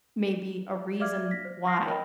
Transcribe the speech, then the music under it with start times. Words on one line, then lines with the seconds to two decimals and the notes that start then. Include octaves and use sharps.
maybe a reason why,
1.00 D5 E5 F5 D6 F6 G#6
1.31 A#6 B6
1.45 C5
1.65 F5 F#5 C#6 F6 A#6 C7
1.86 A#4 C#5 D#5 G5 B5